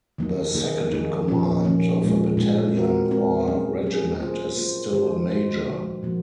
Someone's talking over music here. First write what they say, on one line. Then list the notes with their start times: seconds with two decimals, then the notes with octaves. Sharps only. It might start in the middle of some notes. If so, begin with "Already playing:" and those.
The second-in-command of a battalion or regiment is still a major.
0.18 D#3 F#3 A#3 D#4
0.54 D#3 A#3 D#4 G#4
0.92 D#3 A#3 D#4 G#4
1.28 A#2 F3 A#3 C#4
1.64 A#2 F3 A#3 C#4
2.02 A#2 G#3 D#4 G#4
2.37 A#2 G#3 D#4 G#4
2.74 G#3 C4 F#4 A#4
3.11 G#3 C4 F#4 A#4
3.47 F#3 C#4 G#4
3.83 F#3 C#4 G#4
4.20 A#3 F4 G#4 C5
4.57 A#3 F4 G#4 C5
4.93 D#3 G#3 D#4 F#4 C5
5.30 D#3 G#3 D#4 F#4 C5
5.66 A#2 F3 A#3 D#4 F#4
6.03 A#2 F3 A#3 D#4 F#4